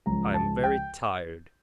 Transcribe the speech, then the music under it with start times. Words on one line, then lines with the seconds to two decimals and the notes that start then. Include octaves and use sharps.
I am very tired.'
0.06 C#2 C#3 F3 A#5
0.34 A5
0.64 G5